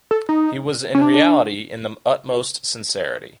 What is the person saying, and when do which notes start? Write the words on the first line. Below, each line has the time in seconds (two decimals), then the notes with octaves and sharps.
He was in reality in the utmost sincerity.
0.11 A4
0.29 D#4
0.95 C#4
1.01 D4